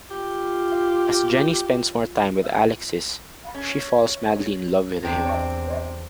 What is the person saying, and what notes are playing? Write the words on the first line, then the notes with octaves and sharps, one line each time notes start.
As Jenny spends more time with Alexis, she falls madly in love with him.
F4 G4
C#4
E2 C3 C4 D4